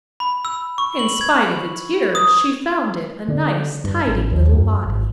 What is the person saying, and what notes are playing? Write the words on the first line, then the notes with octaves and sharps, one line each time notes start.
In spite of its years she found it a nice tidy little body.
B5
E6
C#6
F#7
G#6
D#6
D3
G2
A1
D#2
F#2
G#1